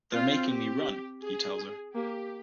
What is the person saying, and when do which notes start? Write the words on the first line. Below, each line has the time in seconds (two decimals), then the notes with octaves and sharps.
"They're making me run," he tells her.
0.13 C4 F4
0.49 G4
1.22 G#4
1.95 A#3 G4